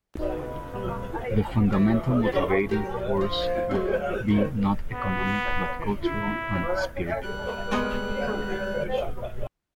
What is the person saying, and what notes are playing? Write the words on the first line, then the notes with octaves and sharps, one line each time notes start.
The fundamental motivating force would be not economic but cultural and spiritual.
F2 D#4 F#4 B4 D#5
A#2 G3
E3
C#3
F#3 G4 A#4
D2 F3
F#3 G#3
E2 D#3
B3
E4
G3 F#6
G#3 B3 D#5